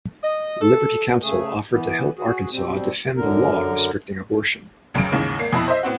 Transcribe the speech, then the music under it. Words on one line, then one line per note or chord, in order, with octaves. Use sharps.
Liberty Counsel offered to help Arkansas defend the law restricting abortion.
D#5
A4
C#3 A3 G#4
E3 B3
F#4 G#4
B2 G3 C4
F#2 D3 A#4
C#2 F#2 C#3 G#4 D7
D#2 G#2 C#3 E3
G#1 A#3 C7
F2 B2 E4 B5
C5 D#5 E5
A2 B3 C4 F#4